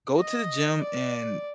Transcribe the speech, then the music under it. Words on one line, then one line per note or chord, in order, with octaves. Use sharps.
"Go to the gym and
D#5
D5